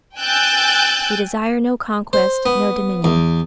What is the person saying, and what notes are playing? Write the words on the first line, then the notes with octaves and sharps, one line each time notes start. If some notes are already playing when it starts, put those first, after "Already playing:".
We desire no conquest, no dominion.
G5 G#5 E6 F#6 G6 A6
C5
B3
E2